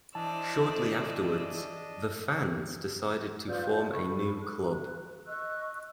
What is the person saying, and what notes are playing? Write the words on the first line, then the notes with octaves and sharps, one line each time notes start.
Shortly afterwards the fans decided to form a new club.
E3 D4 C5 D5 D#5 A5 E6
F4 B4 D5 G6
A4 B5 C#6
F#6
D#5 C#6 E6 F#6